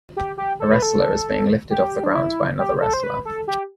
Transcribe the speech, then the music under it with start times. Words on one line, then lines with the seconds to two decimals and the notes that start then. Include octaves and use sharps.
A wrestler is being lifted off the ground by another wrestler.
0.17 G4
0.38 G4
0.60 A4
0.71 B4
0.82 A4
1.70 G4
2.03 D4
2.15 E4
2.59 G4
2.81 A4
2.93 C5
3.03 B4
3.25 A4
3.48 G4